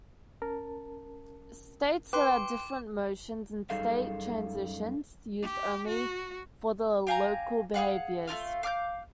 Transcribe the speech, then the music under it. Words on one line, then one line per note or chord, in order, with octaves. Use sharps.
States are the different motions and state transitions used only for the local behaviors.
C#4 A#4 A5
B4 G5 C6 D6
F#2 G3 D#4 G#4 A4 F5
G4
F#4
G4 F5 G#5 A#5
G#4 B4 F5 F#5
A3 D#4 F4 F5
F5 D6 F6 G6